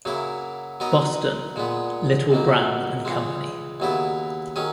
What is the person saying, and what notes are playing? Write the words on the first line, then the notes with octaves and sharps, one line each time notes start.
Boston: Little, Brown and Company.
F#2 C#3 F#3 A#3 E4
F#3 B3 D#4 A#4 D#5
A#2 G#3 B3
C#2 B2 F#3 A#3
C#2 C#3 E3 G#3
D#2 C#3 F#3 B3 E4
D#3 F#3 C#4 G#4